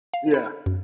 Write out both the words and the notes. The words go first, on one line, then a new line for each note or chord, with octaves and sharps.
Yeah, h
F5
B5
F#2